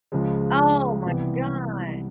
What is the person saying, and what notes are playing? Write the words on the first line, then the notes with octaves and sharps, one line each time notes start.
Oh my god!
C#2 C#3 F3 G#3
C2 C3 E3 G3 B3